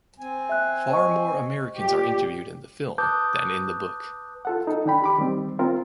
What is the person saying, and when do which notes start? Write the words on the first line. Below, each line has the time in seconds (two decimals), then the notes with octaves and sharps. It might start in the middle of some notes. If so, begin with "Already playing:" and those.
Far more Americans are interviewed in the film than in the book.
0.20 C4 G#5
0.49 E5 F#6
0.90 C5 D#5 C#6
1.77 A#2 G4
2.98 B4 A5 D6 D#6 G6
4.45 F4 A4 F#5
4.67 D#4 A4
4.86 D#3 D4 G5 B5
5.02 G4 B5 D6
5.19 D#3 G3 C4
5.59 C4 F4 A#4